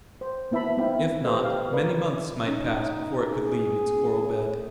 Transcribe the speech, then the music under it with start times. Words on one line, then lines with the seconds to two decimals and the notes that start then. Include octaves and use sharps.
If not, many months might pass before it could leave its coral bed.
0.21 C5
0.51 A#3 B3 E4 E5 A5 B5
0.77 B3 C4 D#4 E4 F5 G5
1.24 G4 A4 B4 C5 D#5
1.41 G4 D#5 F5
1.72 A#4 B4 C#5 D5 F5
2.47 C#4 D#4
3.32 G#4